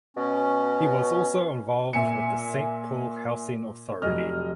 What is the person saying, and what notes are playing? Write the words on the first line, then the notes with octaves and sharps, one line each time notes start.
He was also involved with the Saint Paul Housing Authority.
B2 C#4
A#2 E5 G#5 C#7
F1 F#3 D#5 F6